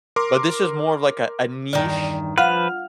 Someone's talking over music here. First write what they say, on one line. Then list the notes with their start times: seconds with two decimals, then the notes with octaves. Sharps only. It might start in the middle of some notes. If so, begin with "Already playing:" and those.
but this was more of, like, a a niche
0.16 A#4 C6 D6
1.73 E2 G2 D#3 D5
2.38 F3 F4 B4 F5 F#5 F6